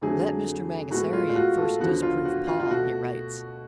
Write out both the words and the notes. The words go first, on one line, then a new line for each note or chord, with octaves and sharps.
"Let Mr. Mangasarian first disprove Paul," he writes.
F2 D3 F#3 A3 G#4
A2 G#3 B3 F#4
F4
F4
F#4
A4
D2 C#3 F3 B3 F#4
F4
F#4
F4
F4
B2 A3 F#4